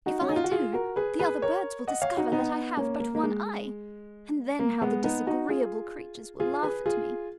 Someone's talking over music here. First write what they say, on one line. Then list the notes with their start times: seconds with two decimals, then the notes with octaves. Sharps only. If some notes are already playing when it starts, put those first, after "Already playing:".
If I do, the other birds will discover that I have but one eye, and then how the disagreeable creatures will laugh at me.
0.06 D#4 F#4
0.21 C#4
0.29 D#4
0.36 F4
0.44 F#4
0.51 F4 G#4
0.73 F#4 A#4
0.96 G#4 B4
1.19 G#4 B4
1.42 A#4 C#5
1.88 D#5 F#5
2.02 C#5 F5
2.17 D#4 F#4
2.32 B3 D#4
2.77 A#3 C#4
3.00 A#3
3.15 A#3
3.23 G#3
4.59 A#3
4.82 G#3 B3
5.04 B3 D#4
5.27 D#4 F#4
5.49 F4 G#4
6.40 F4 G#4
6.63 G#4 B4
6.86 F4 G#4